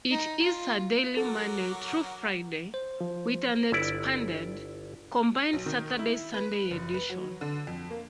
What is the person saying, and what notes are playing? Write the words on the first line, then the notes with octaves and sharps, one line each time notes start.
It is a daily Monday through Friday, with an expanded, combined Saturday-Sunday edition.
D#4
F4
F#3 F#4 A4 A#4 F#5 D6
C5
F3
G1 E4 D5
B1
D#3
E4
B4
F#1
B4
F#3
D3
F2
A#3